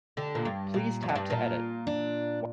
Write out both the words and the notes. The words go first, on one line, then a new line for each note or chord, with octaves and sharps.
Please tap to edit.
D3 G4
A#2
G2
A#2
G2
F2
G2
A#2 F4
D4